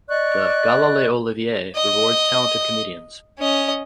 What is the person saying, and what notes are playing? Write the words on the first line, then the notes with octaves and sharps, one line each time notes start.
The "Gala Les Olivier" rewards talented comedians.
D5 D#5 C#6 F#6
D#5
C#4 D#5